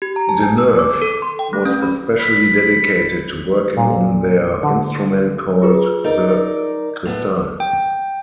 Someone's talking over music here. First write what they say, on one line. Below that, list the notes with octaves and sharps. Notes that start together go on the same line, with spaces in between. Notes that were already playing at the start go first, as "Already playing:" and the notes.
Deneuve was especially dedicated to working on their instrument called the "Cristal".
G4
A#5
A5
G#5
E6
D6
A4
C6
G5
A3
C#4
B5
B5
A#2
D3
F4 G#4 B4
D#4 A#4 D5
A2 B3
G5